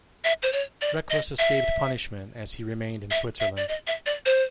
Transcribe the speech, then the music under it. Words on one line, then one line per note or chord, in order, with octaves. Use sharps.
Reclus escaped punishment as he remained in Switzerland.
E5
C5
C#5
D5
D#5
E5
E5
E5
D5
D#5
E5
D5
C5